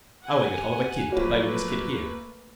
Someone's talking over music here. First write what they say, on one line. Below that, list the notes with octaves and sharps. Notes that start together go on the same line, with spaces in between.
I want to get hold of a kid to play with this kid here.
F#5 G#5
F3 F#3 A3 A#3 B4